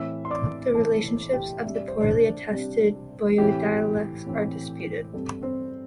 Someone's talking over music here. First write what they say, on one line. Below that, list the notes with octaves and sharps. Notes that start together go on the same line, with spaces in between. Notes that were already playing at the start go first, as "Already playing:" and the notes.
The relationships of the poorly attested Buyeo dialects are disputed.
Already playing: A2 E3 C4 E5 E6
C6
D5 D6
A2 E3 C4 A4 A5
G4 G5
C3 G3 D4 E5
D5
C5
D4 D5
C3 G3 D4
A2 E3 C4 G4
A2 E3 C4
G2 G3 C4 A4
C4 C5